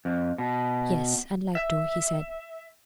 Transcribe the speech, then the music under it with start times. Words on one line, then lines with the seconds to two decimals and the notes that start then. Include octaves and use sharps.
"Yes, I'd like to," he said.
0.05 F2
0.38 B2
1.55 E5